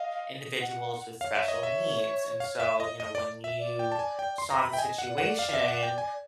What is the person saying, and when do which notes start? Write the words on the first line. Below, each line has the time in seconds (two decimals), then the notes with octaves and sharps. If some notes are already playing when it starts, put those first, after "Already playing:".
individuals with special needs and, so, you know, when you saw the situation,
Already playing: D#5 F5
0.61 F#5
1.21 C#5 F5
1.35 E5
1.48 D#5
1.63 E5
2.40 F5
2.60 E5
2.80 D#5
3.00 D#5
3.15 D5
3.44 E5
3.59 D5
3.79 G5
3.92 A5
3.99 G#5
4.19 G5
4.38 C6
4.50 A#5
4.59 B5
4.72 E5 G5
4.78 D#5 G#5
4.98 F#5
5.08 D5
5.16 C#5 F#5
5.25 D5
5.39 F5
5.49 F5
5.53 E5
5.68 F#5
5.83 G5
5.98 G#5